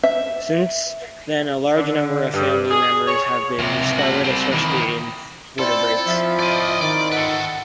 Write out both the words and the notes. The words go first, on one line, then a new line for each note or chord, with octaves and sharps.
Since then a large number of family members have been discovered, especially in vertebrates.
E5
D3
G2
G#4
C#5
C#2 C3
F#4 A4
G3 C4
D#3 E3
C4 E4 F4 A4 D5
F3 E5
D5 D#5
D#3 D5
A4 B4 F#5